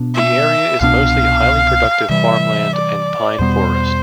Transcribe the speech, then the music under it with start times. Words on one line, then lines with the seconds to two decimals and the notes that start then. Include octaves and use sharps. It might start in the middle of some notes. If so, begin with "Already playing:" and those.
The area is mostly highly productive farmland and pine forest.
Already playing: B2 B3 D4
0.15 E5
0.81 C2 B2 B3 D4 F5
2.09 C3 E3 G3 E5
2.75 D5
3.39 E2 B2 G3 B3 C5